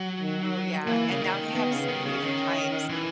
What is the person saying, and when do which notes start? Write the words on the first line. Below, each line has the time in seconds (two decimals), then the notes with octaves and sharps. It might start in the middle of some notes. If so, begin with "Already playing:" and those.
Oh, yeah, and now they have so many different types.
Already playing: F#3
0.20 D#3
0.87 E3 A#3
1.10 C#3
1.21 D#3
1.54 D#3 B3
1.71 C#3
1.88 D#3
2.05 C#3
2.22 D#3 C#4
2.90 E3